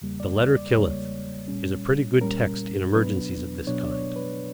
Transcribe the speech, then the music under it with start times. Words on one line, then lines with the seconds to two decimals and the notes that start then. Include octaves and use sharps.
"The letter killeth" is a pretty good text in emergencies of this kind.
0.02 E2 C#3 G3 A#3
0.20 D5
0.38 D5
0.57 D5
0.75 E2 C#3 G3 A#3 C#5
1.48 A#2 G3 C#4
2.21 A#2 G3 C#4 A#4
2.94 B2 F#3 B3 D4 B4
3.67 B2 F#3 B3 D4 C#5
3.84 D5
3.92 C#5
4.16 B4